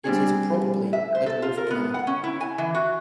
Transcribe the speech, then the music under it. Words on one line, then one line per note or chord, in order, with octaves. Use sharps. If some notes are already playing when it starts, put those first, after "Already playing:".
It is probably a dwarf planet.
G3 C4 D4 G#4
E5
C5
A4
F4
A#4
B3
F#5
C#4
E4
G#5
E3
F#4